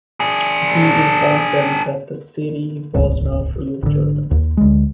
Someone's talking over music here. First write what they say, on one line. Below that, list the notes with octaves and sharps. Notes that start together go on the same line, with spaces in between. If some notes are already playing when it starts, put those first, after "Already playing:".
He informed them that the city was now free of Germans.
D4 G#4
D#1 G#1 C#2
G#1 D3
D#2
D2 G#3